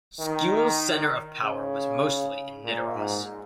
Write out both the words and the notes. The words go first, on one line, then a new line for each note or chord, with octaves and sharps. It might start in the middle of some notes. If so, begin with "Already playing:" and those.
Skule's center of power was mostly in Nidaros.
D#3
C#3
A#2
G#2